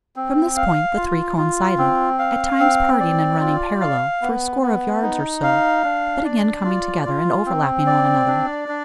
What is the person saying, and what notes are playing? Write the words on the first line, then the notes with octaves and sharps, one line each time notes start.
From this point the three coincided--at times parting and running parallel, for a score of yards or so, but again coming together and overlapping one another.
C4
F5
F4
F4
C4
F5
C4
D5
F4
F5
B3
B3
D#4
F5
D4
D5
F4
F4
C4
D5
D4
D4